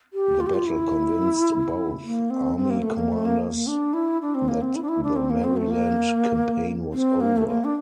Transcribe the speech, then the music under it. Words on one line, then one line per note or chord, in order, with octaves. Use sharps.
The battle convinced both army commanders that the Maryland Campaign was over.
G4
F4
G4
F4
E4
A#3
C4
C4
A#3
A3
A#3
A3
A#3
A#3
D4
E4
D4
C4
A#3
C4
E4
D4
E4
D4
C4
A#3
C4
A3
A#3
C4
A#3
A3
A#3
D4